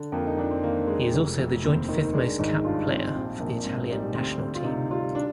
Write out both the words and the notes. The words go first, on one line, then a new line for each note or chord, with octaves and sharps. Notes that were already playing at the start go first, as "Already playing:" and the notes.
He is also the joint fifth-most capped player for the Italian national team.
Already playing: D3
F2 A#3
D#4
F2 D4
C4
D#3 A#3
G#3
F1
F1
D#2 C4
D#3 D#4
G#3 D4
G#1 D#4
G2 F4
F3 C4
A#1 C4
A#1 A#3
G#2 C4
G3 D#4
D2 C4
D2 C4
F4
C3 D#4
G3 F4
D4